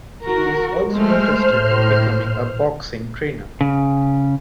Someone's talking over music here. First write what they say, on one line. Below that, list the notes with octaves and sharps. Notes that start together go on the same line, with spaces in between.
He is also interested in becoming a boxing trainer.
F#4 A#4
G#3 A3 C5 F6
A2
C#3